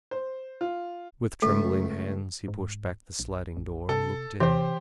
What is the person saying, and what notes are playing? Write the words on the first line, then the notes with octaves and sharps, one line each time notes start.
With trembling hands he pushed back the sliding door and looked in.
C5
F4
C#2 A3 A4
G#2
A#1
A1
C3 A4
C3 E3 G4 C5